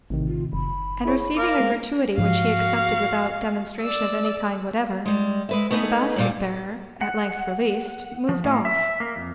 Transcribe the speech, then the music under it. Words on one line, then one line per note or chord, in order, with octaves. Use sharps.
And receiving a gratuity which he accepted without demonstration of any kind whatever, the basket-bearer at length released moved off.
A1 A2 C3 D#3
F4
F#1 B5
E4 G#4 C#5
A#4 F5 D6
G#3 C4
G#2 F3 F#4 F5
D5 E6
G3 G#3
G#3 B4 E5
A3 B3 D#4 G#4 B4
G2 A#2 G3
F#5
F3
A2
E5
A#3
F2